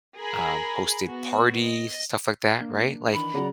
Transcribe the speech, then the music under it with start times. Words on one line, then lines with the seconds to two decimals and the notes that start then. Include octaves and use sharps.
um, hosted parties, stuff like that, right, like,
0.18 G#4 A#4 A#5 B5
1.06 B3 F#4
1.62 D#5
2.60 A#3 D4
3.13 D#3 E3 D4 B5
3.34 C#3 F#3 D5 F#5 A#5